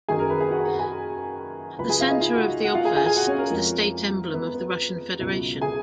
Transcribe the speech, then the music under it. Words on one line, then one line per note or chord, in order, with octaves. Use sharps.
At the center of the obverse is the state emblem of the Russian Federation.
F#2 D#3 F#3 G#4 G#5
A#4 A#5
B4 B5
G#4 G#5
F#4 F#5
F#4 F#5
G#4 G#5
C#2 C#3 F#3 B4 B5
G#4 G#5
F4 F5
D#4 D#5
F4 F5
F#4 F#5
F#4 F#5
F4 F5
G#4 G#5
G#4 G#5
G#4 G#5
F#4 F#5
C#4 C#5
A#4
F2 F3 G#3
B3 B4
B3 B4
C#2 B2 F#3
G#4 G#5